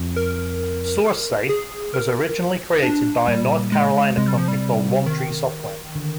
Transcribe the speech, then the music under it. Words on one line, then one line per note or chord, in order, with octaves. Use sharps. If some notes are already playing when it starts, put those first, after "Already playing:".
SourceSafe was originally created by a North Carolina company called One Tree Software.
Already playing: F2
A#4
G#4
A#4
D4
A#2 G3
G#3
C3 G#3
G3
F3
G3
D#3
D3